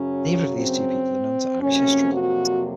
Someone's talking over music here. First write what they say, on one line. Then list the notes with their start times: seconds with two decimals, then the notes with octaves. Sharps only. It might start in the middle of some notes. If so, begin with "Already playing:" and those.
Neither of these two people are known to Irish history.
Already playing: F#2 C#3 F#3 C#4
0.57 C4
1.60 F2 C3 F#3 A#3 C#4
2.11 F#4